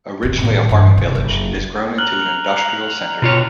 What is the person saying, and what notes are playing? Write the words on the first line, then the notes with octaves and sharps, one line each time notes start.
Originally a farming village, it has grown into an industrial center.
F2 C3
A2 D#3
G2 E3
C3
F#1
A#5 F6 F#6 F#7
B2 F4 C#5